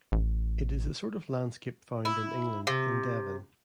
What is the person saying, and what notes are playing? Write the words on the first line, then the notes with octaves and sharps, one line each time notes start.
It is the sort of landscape found in England in Devon.
A1
E4
C3